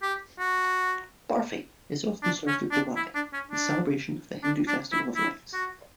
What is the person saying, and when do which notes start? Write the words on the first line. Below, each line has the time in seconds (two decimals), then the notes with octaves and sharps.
Barfi is often served at Diwali, the celebration of the Hindu festival of lights.
0.03 G4
0.39 F#4
2.23 D4
2.47 C#4
2.72 D4
2.96 E4
3.15 D4
3.33 C#4
3.52 D4
4.43 D4
4.68 D4
4.92 E4
5.16 E4
5.53 F#4